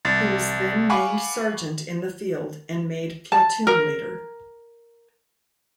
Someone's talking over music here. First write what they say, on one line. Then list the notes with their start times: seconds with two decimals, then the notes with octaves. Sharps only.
He was then named sergeant in the field and made platoon leader.
0.05 C2 A6
0.90 F5 F#5 G#5 B5 C#6 D6
3.32 A5
3.67 A#4